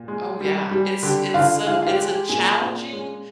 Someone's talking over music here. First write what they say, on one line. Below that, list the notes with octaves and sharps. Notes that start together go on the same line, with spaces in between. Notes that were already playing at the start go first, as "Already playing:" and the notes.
Oh yeah. It's it's a v it's a challenging,
Already playing: A#2
G#3
G3
G3
D3 G4
D3 F4
G#3 F4
F4
G4
G#3
G4
A#2 G#4
A#2
G#3